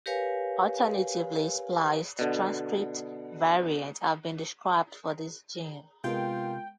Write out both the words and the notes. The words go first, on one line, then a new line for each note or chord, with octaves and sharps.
Alternatively spliced transcript variants have been described for this gene.
G4 A#4 B4 C#5 F5 G#5
B2 D3
C3 G#3 B3 F4 A#4 G5